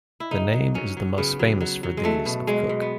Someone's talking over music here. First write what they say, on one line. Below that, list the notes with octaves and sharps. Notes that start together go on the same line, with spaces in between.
The name is the most famous for these of Cook.
E4
C#3 D#4
F#3
F#3 C#4
F#3
C#3 B3
F#3
F#3
F#3
G#3
F#3 A3
B2
F#3 G#3
B2
B3